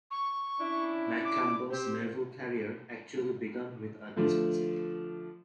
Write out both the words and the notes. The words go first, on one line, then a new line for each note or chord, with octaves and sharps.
McCampbell's naval career actually began with a dismissal.
C#6
C#4 D4 E4
D6
C4 G4 C5
D3 F3 A3